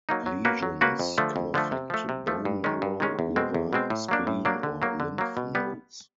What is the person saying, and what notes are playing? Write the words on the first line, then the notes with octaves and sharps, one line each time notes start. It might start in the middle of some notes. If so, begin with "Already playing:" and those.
Lesions can affect bone marrow, liver, spleen, or lymph nodes.
F#3 A#3 D#4
F#3
A#3 C#4 F#4 B4
F#3
A#3 C#4 F#4 B4
F2
D3 F3 A3
F2
D3 F3 A3
C3
F3 A3
C3
F3 A3
G2
D#3 G#3 C#4
G2
D#3 G#3 C#4
E2
B2 G#3 C4
E2
B2 G#3 C4
A2
F#3 A#3 D4
A2
F#3 A#3 D4
D3
F#3 A#3
D3
F#3 A#3
B2
G3 B3